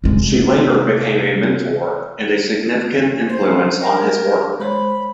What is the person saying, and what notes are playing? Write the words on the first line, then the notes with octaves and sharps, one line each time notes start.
She later became a mentor and a significant influence on his work.
C3 G#3
C5
A#4
G#3 C5 C#5 B5